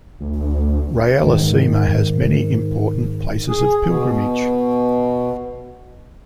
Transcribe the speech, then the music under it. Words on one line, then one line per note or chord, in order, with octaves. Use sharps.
Rayalaseema has many important places of pilgrimage.
D2
G#2 D#3
G#4
B2